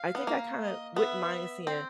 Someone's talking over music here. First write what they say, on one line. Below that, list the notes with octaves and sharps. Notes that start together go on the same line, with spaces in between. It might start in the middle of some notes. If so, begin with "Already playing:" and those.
I think I kinda wouldn't mind seeing
Already playing: F5
B3
A#3
D#5
B3 E5
C4